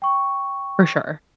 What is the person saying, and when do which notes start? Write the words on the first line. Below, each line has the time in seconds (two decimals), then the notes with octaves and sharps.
for sure.
0.02 G5 C#6